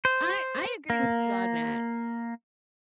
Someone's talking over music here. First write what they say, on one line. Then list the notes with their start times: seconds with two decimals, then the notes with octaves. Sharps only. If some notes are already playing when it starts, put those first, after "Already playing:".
I I agree with you on that,
0.05 C5
0.90 A#3